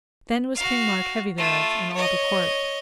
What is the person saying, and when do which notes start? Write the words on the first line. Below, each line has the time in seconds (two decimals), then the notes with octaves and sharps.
Then was King Mark heavy thereof, and all the court.
0.55 F#4 F5
1.38 A3 F4
1.94 C#5 D#5